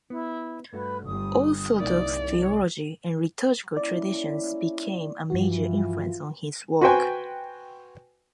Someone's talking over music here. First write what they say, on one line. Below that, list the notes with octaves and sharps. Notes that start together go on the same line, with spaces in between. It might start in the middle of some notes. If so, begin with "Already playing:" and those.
Orthodox theology and liturgical traditions became a major influence on his work.
B3 E4
G2 A3 F#4 B4
G1 G3 D#6
C2 A#3 D#4 E4 D5
A#3 C#4 E4 D5
G2 E3 F3 F4 F#4
F#4 B4 C5 G5 G#5